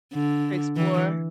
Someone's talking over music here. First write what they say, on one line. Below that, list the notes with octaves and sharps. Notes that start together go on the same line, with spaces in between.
To explore?
D3
E3